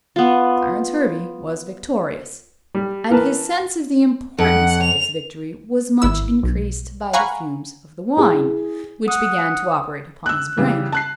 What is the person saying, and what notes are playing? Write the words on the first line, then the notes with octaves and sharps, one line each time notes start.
Clarence Hervey was victorious; and his sense of the importance of this victory was much increased by the fumes of the wine, which began to operate upon his brain.
B3 F4
G3
E3 A#4 B4 A5
F2 F#5
F7
G#1 E4 E6
B1
F5 F#5 G#5 A#5 B5 C#6
E4 G#4
F#5 D#6
E6 F#6
C#3 E3 G3
A5 F#6 C7